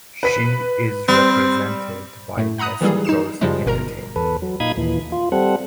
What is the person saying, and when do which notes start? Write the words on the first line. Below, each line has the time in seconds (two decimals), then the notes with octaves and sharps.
She is represented by Les Pros Entertainment.
0.23 B4 B6 D#7
1.09 G3 C4
2.37 A2 A3
2.58 F#5 A#5 B5 D#6 F#6
2.81 D#3 E3 F#3 G3 A#3 G#4
3.05 D#4 C7 E7
3.41 F#2 C#3 F3 G3 G#3
3.66 G1 B2 A#4 A#5
4.16 E2 A4 B4
4.42 F#3
4.60 A#2 D#4 F5 B5 D#6 G#6
4.77 D#2 A#2 E3
5.12 F4
5.32 G3 C4 A4 F#5